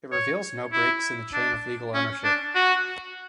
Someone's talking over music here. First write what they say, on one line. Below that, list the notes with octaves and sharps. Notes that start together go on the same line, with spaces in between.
It reveals no breaks in the chain of legal ownership.
C#5
E4
D4
C#4
D4
F#4